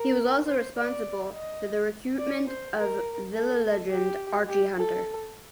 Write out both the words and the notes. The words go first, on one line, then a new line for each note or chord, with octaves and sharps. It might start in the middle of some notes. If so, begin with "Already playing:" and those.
He was also responsible for the recruitment of Villa legend Archie Hunter.
Already playing: A#4
C5
D5
D#5
D5
C5
A#4
A4
G4
G4
A4